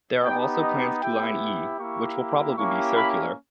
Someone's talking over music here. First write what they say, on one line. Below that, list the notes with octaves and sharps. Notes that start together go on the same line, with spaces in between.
There are also plans to line E, which will probably be circular.
B3 D#4 G4 G5
D#5
B3 E4 G4 G5
A#3 E4 G4 C#6
A#3 C#4 E4 G4 C#6
B5